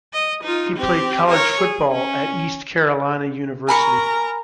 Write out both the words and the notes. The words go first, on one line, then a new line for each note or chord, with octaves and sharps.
He played college football at East Carolina University.
D#5
D#4 F4
C4 G4
A#4 C#5
G#4
C#4
A#4 G#5 A#5 B5 C#6